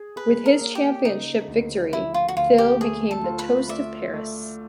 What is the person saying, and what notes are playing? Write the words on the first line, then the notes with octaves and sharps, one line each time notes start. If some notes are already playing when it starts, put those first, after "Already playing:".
With his championship victory, Thil became the toast of Paris.
Already playing: G#4
G#4 B4
A#4
A#3
G4
C#3 D#4
D2
F3 E4
F4
F#4
D2 F4
G4
A3 G#4
A4
F4
B4
A3 D5 E5
A3